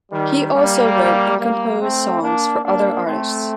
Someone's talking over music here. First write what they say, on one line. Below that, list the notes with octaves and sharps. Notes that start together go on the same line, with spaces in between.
He also wrote and composed songs for other artists.
D#3 G3
G3 A#3
G3 A#3
A3 C4
A#3 D4
A#3 D4
A3 C4